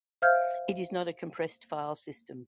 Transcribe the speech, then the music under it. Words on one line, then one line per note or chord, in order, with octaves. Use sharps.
It is not a compressed file system.
C5 E5 F5 F6 G6 G#6